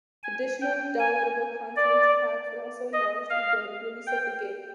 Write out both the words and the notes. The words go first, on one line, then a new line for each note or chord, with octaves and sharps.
Additional downloadable content packs were also announced with the release of the game.
G#5
G5
G#5
D5
D#5
F5
G5